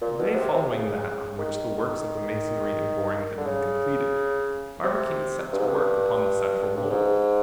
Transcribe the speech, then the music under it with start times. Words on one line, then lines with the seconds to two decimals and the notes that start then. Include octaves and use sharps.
The day following that on which the works of the masonry and boring had been completed, Barbicane set to work upon the central mould.
0.01 A#2
0.19 B2
0.35 C3
0.53 C3
0.70 C#3
1.39 D#3
3.37 D3
3.46 C#3
4.84 C3
5.52 G2
5.59 G#2
5.66 G2
6.76 G2
6.90 G#2